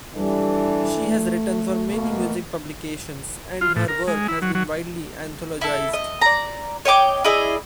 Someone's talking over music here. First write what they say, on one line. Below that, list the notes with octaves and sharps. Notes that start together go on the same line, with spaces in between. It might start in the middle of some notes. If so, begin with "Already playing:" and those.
She has written for many music publications, and her work has been widely anthologized.
E3 G3 D4 A4
A3
B2 A#3
F4
A2
A#4
G#3
E4
F#3
F#3
E4 A4
D#5
D5 A#5
C#5 D#5 G5 D6
E4 G#4 D5 D#5